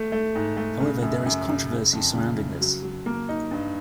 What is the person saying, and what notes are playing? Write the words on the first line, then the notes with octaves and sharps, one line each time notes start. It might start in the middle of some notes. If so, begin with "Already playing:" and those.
However, there is controversy surrounding this.
Already playing: A3
A3
G#2
A3
C#3
F#2
F#2
C#3
C#3
F2
C#3
C#3
F#3
F#3
A#3
D#4
G2